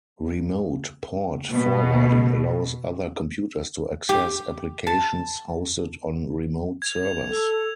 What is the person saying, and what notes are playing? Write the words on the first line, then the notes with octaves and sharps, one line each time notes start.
Remote port forwarding allows other computers to access applications hosted on remote servers.
B2
G4
A5
G#6 F7
A4